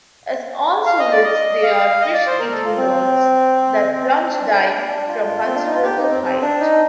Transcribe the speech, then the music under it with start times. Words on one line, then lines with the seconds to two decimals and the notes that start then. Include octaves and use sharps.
As all Sulids, they are fish-eating birds that plunge-dive from considerable height.
0.86 F5
0.99 D#5
1.12 D5
1.24 D#5
1.63 F5
2.01 D#5
2.13 D5
2.27 C5
2.39 A#4
2.52 A4
2.65 F4
2.77 C4
3.92 C4
4.22 C4
4.31 D4
5.08 F4
5.45 C4
5.55 D4
5.65 D#4
5.74 F4
5.84 G4
5.97 D#4
6.10 C4
6.23 C4
6.42 D4
6.60 D#4